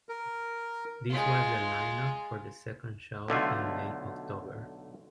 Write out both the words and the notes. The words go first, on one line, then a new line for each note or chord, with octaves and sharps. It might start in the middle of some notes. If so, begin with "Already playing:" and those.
This was the lineup for the second show in late October.
A#4
G#3 F4
B1 D3 A3 F4